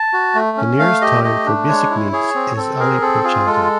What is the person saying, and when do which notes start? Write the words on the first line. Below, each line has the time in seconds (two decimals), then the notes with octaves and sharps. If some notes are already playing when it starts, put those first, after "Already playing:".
The nearest town for basic needs is Ali Pur Chatta.
Already playing: A5
0.13 F#4
0.35 A3
0.57 C#4
0.79 A3 F5
1.01 G4 D#5
1.24 A3 D#5
1.46 D4
1.68 G#3 C#5
1.90 E4
2.12 G#4 C#5
2.35 C4
2.57 C4 A4
2.79 G#4 A#4
3.02 C4 A4
3.24 F4 G#4
3.46 G#3 A4